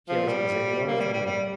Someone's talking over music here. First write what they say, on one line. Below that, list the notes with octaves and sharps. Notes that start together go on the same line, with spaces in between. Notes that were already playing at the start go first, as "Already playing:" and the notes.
Childs is a wonderful man.
F3
G3
A#3
G3
G3
G3